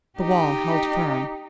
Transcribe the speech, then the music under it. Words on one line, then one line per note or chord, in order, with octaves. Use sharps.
The wall held firm.
D#4 G4